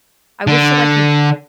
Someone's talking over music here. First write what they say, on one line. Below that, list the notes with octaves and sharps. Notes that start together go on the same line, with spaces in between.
I wish that I could
D3